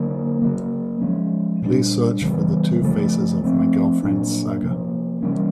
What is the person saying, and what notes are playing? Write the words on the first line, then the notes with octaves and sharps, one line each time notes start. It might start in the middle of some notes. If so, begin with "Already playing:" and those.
Please search for the Two Faces of My Girlfriend saga.
Already playing: D3 F#3 A#3
C#3 F#3 A#3
F3 G#3 C#4
A#2 G3 B3 D4
C#3 E3 G3 B3
C#3 F3 A3
F3 A3 C4
A#2 F#3 A#3 D4
C3 F3 A#3
E3 G3 A#3 C#4